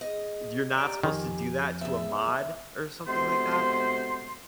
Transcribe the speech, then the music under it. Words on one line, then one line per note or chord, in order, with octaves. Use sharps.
you're not supposed to do that to a mod or something like that.
G#4 D#5
G4 D5 G5 A#5
F2 D#3 G#5
E2 G#4 E5
D2 C3 G#3 B3 C5 C6